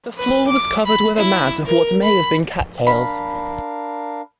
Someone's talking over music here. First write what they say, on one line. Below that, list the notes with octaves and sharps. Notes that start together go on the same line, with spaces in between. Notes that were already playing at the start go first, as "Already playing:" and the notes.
The floor was covered with a mat of what may have been cattails.
B4
D6
B5
E4
A#4
B5
D4 A#4 F5 B5